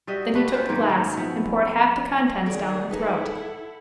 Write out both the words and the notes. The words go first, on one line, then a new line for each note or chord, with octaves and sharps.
Then he took the glass, and poured half the contents down her throat.
G3 F#4 D#5 E5
C3 A3 F#4 B4
C#4 F4 B4 C5
G#2 D#3 F#3 A#3
D#3 C#4
F3 B3 E4 F#4
D#3 G#4 A4 C#5 D5
D#4 E4 G#4 A4 B4
F#5